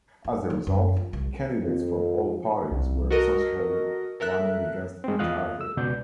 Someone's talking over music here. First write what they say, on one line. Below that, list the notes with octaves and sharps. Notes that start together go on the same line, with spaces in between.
As a result, candidates from all parties were essentially running against each other.
E4
F#3
F#2
F4
C2
F2
C2
F#4 A4 A#4 D#5 A#6
A4 A#4 E5 F#6
G#3 C4
E2 F4 D#5 F5 F#6
E6
C#2 B2 D5 G6